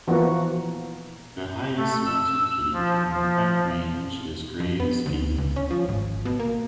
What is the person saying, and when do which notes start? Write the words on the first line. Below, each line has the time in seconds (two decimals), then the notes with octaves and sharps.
The highest mountain peak in the Front Range is Grays Peak.
0.07 E3 F3 A#3 B3 F#4
1.76 A3
2.05 E6
2.73 F3
3.10 F3
4.60 F2
4.80 B3
5.06 D2
5.38 C#2
5.56 C#4
5.71 F3
5.89 G#1
6.25 B2
6.40 A#3